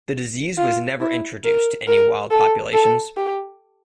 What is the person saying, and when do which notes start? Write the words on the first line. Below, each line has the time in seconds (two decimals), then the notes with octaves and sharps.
The disease was never introduced to any wild populations.
0.57 F4
1.00 E4
1.44 A#4
1.87 A#4
2.30 A4
2.73 A4
3.17 G4